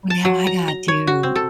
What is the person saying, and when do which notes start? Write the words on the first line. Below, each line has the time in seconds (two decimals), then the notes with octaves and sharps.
Well, now I got to.
0.10 A5
0.25 F#3
0.47 A#5
0.68 A#5
0.88 C#5
1.07 F#4
1.23 C4
1.36 A4